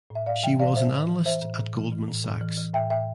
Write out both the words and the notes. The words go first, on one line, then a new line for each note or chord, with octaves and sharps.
She was an analyst at Goldman Sachs.
A2
E5
A2 D5 F5
E3 E5 G5
E3 D5 F5
A2 C5 E5
A2
E3
E3 C5 E5
A2
A2
E3
E3
A2
A2
E3
E3
A2 E5 G5
A2 E5 G5